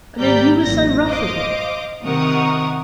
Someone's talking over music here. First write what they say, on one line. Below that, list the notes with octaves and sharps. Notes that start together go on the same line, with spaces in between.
And then you was so rough with me!
G#1 G3 D5 A#5 G6 B6
A1 F#2 A#2 A#6
C5 D#5 F5 D6
C3 D#3 A#4 F#5 C#6 D#6